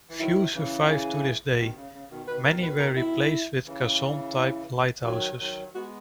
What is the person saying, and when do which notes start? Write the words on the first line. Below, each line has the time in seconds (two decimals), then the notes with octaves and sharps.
Few survive to this day; many were replaced with caisson-type lighthouses.
0.09 E3
0.19 D#3 F#3 E4
0.54 C#3 E3
0.89 G#4
1.58 B2 D#3
1.76 C#3
1.93 C#3
2.10 B2 D#3
2.27 B2 D#3 B4
2.45 A#4
2.63 B4
2.80 A#4
2.97 E4
3.66 C#3 E3
4.36 E4
5.01 E3
5.05 D#3 F#3 F#4
5.39 D#3 F#3
5.75 G#3 B3 F#4